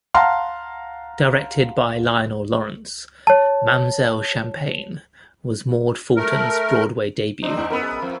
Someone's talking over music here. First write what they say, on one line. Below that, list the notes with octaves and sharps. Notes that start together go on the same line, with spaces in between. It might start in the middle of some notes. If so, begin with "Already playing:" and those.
Directed by Lionel Lawrence, "Mamzelle Champagne" was Maude Fulton's Broadway debut.
F5 F#5 A5 A#5 C6 F6
C#5 A5
A3 A#4
C4 D4 D#4 C5
E2
F#2 B3 A#4 B5 E6
G#3
F2 F3